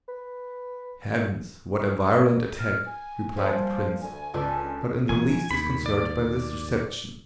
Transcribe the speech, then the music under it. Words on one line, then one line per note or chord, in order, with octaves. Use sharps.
"Heavens! what a virulent attack!" replied the prince, not in the least disconcerted by this reception.
B4
F6
G#5
F3 G3 A#3 B4
D2 G#5
C#2 D4 A4 B4 D5
E1 G#5
D#2 B5
D5